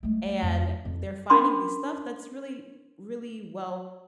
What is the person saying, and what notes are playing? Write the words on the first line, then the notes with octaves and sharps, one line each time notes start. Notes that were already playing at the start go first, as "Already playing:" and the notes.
and they're finding the stuff that's really, really well
G#3 A3
F2
F2
C#4 D4 A#4 B5 C6 D6